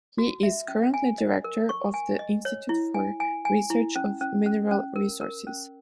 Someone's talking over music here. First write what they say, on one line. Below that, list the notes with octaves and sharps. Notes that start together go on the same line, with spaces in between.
He is currently director of the institute for research of mineral resources.
F#4
E5
C#4
G#5
D#5
A#4
C#6
G#5
D#5
C#5
E4
G#5
G#5
G#5
E4
C#4
C#4
C#4
C#4
A#4
A#4
C#4